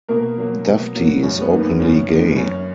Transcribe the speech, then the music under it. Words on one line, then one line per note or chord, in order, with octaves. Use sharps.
Dufty is openly gay.
B2 A#3 A#4
F#3 A#3
B2
F#3 A#3
F#2 C#4
B3
D#3 A#3
B3
F#2 C#4
D#3 A#3
F#2 C#4